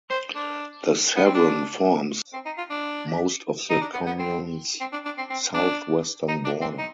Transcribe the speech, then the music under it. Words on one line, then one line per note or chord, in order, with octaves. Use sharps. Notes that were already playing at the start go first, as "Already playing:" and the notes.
The Sevron forms most of the communes's southwestern border.
C5
D4
B3
C4
D4
C4
D#4
F4
D4
D#4
D4
B3
B3
C4
C4
D4
D4
C4
C4
D4
D#4
D4
C4
D#4